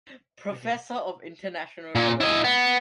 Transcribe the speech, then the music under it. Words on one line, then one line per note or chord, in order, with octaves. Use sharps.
Professor of International Relations.
A#2
E4 D#5
B3